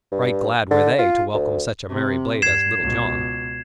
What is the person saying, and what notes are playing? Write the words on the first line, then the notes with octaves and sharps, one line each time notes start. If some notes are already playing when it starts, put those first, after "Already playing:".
Right glad were they to welcome such a merry blade as Little John.
G2
D3
F4
D2
C3
G2 G#6 C7 E7
C#2 B2